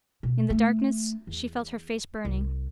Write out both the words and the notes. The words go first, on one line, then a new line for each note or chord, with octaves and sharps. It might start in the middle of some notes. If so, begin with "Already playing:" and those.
In the darkness she felt her face burning.
B2
A3
E2
C2